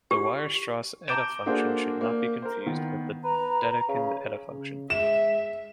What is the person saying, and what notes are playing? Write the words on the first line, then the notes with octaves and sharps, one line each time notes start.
The Weierstrass eta-function should not be confused with the Dedekind eta-function.
G4
A5 A#5 D6 G6 D7 E7
A#3 D4 F#4 G#4 A4 C5
A#3
A#4 C5
D#3 B3
B4 A#5
C#3
C#3
G#3 E5 E7